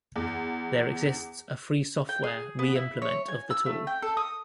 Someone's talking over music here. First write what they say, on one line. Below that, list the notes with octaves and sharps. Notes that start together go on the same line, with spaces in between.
There exists a free software re-implement of the tool.
E2
G5
G#4
B3
E4
C#5
G#5
E6
A3
G5
A4
D#6